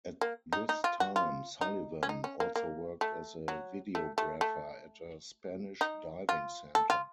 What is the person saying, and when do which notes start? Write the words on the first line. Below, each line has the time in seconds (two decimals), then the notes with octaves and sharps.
At this time Sullivan also worked as a videographer at a Spanish diving centre.
0.21 A#3
0.53 D#4
0.69 D#4
0.84 F4
1.00 F#4
1.16 F4
1.61 D#4
2.03 C#4
2.09 D#4
2.24 C#4
2.40 A#3
2.56 A#3
3.01 A3
3.48 F#3
3.95 A3
4.18 A3
4.41 A3
5.81 D#4
6.29 F4
6.75 A4
6.90 F4